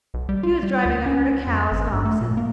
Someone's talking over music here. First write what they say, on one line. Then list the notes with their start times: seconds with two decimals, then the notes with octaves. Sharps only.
He was driving a herd of cows and oxen.
0.14 B1
0.29 G3
0.43 F4
0.63 G3
0.85 D2
1.06 C#4
1.47 F2
1.71 G#1
1.92 G2
2.05 A3
2.21 A#2
2.37 A#3